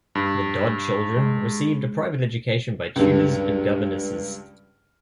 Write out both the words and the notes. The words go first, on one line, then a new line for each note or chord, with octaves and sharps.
The Dod children received a private education by tutors and governesses.
G2
G#3
C#2 G2